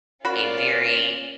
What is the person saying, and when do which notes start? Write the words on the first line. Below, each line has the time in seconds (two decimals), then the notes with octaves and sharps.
a very
0.25 C#4 F4 F#4 A#4 D5 B5